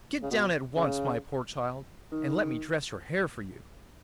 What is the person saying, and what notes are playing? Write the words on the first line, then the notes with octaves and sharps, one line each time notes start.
Get down at once, my poor child, and let me dress your hair for you!'
C#3
B2
C#3
D#3